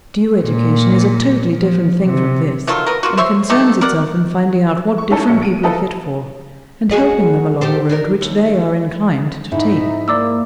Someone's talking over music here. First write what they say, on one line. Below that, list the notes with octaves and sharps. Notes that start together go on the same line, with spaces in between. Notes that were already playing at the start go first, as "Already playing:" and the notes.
Due education is a totally different thing from this, and concerns itself in finding out what different people are fit for, and helping them along the road which they are inclined to take.
A#2
F3
C3
D#3 F#3 A3 F4
B3 A#4
A#3 F4 F#4
C5 C#5 E5 C6
A3 D#4 G4 A4
A#4 D5 F#5
C#6
C#4 D#4 E4 G4 A4 C#5
A#1 F#3 E5 C#6 C#7
D7 D#7
E4 F4 A4 B4 D#5
F#4 G#4 D#5
G4 A4 C5
D4 D#4 A#4
D#2
G#2 D#4 E4 E5
A#3 D5 D6 E6